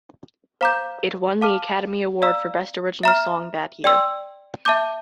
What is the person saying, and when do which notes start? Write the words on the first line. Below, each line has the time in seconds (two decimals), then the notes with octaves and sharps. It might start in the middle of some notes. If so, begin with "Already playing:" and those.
It won the Academy Award for Best Original Song that year.
0.61 C5 F5 A#5 D6 G6
1.41 F5 A5 D6 F6
2.22 D5 F5 A#5 E6
3.03 E5 A#5 F6
3.84 D5 G5 C6 E6
4.65 E5 A5 D6 G6